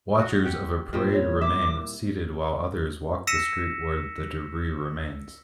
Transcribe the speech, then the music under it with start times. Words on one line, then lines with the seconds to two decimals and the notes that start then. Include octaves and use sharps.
Watchers of a parade remain seated while others walk the street where the debris remains.
0.20 F#4
0.44 G4 F#5
0.93 A#2 G3 C4
1.13 C#5
1.41 E4 E5 D6
3.27 E6 A#6 B6 C#7 D#7 E7